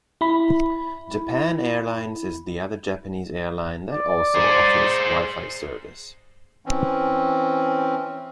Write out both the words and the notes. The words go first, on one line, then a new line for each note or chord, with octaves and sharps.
Japan Airlines is the other Japanese airline that also offers wi-fi service.
E4 B5
D5
G#4 C5
E3 C4 C#4